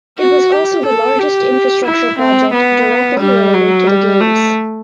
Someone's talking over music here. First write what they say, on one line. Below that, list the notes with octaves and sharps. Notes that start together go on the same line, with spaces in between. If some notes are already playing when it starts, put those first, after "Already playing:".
It was also the largest infrastructure project directly related to the Games.
F#4
G4
A4
G4
E4
C4
B3
G3
F#3
G3
A3